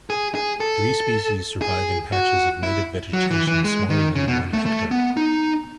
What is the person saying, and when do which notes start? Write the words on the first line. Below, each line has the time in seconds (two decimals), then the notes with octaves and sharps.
Three species survive in patches of native vegetation smaller than one hectare.
0.10 G#4
0.35 G#4
0.60 A4
1.62 G#4
2.12 F#4
2.63 E4
3.13 F#3
3.31 E3
3.47 E3
3.64 G#3
3.90 D#3
4.15 C#3
4.28 B2
4.53 A3
4.66 A3
4.91 B3
5.17 D#4